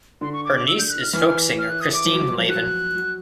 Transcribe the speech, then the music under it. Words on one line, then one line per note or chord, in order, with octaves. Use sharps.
Her niece is folk singer Christine Lavin.
D3 C6
C#6
D6
D6
E6
G6
F#6
F6
E3 F6
F6
F6
F#6
D#6
D6
F3
F#3
F3
F#3
F3
F#3 F#6
F3
F#3